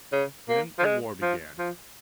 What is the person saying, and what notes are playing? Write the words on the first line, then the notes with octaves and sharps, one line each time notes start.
Then a war began.
C#3
A#3
F3
G#3
F3
F3